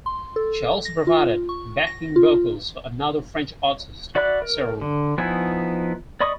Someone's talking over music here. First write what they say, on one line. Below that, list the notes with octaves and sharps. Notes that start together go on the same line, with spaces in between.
She also provided backing vocals for another French artist; Cerrone.
C6
A4
A#6
F4
C#6
A#6
F4
F#4 D5 E5 B5 F#6
A#4
D3
F3 B3 D#4 E4 G#5
D5 D#5 B5 C#6 D#6